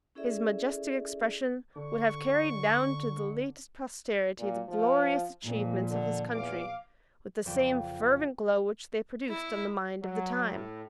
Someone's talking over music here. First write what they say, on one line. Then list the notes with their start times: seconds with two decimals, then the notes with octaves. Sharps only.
His majestick expression would have carried down to the latest posterity the glorious achievements of his country with the same fervent glow which they produced on the mind of the time.
0.15 C#4 E4 G#4 A4 D5 E5
1.75 D3 C#6
4.38 A#2
4.68 F3
5.45 F2 A#2 F3
5.90 D3
6.32 E2 F5 D6
7.45 F#1 F2 F3 D5 G5 E7
9.29 E4
10.02 F#3
10.53 A2